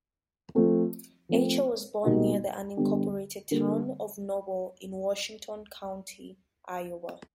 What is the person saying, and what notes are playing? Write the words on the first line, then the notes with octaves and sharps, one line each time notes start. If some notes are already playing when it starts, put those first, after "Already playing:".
Eicher was born near the unincorporated town of Noble in Washington County, Iowa.
F3 A3 C4
F3 A3 C4
B2 G3 A#3 D#4 F#4
D3 G3 B3
D3 G3 A#3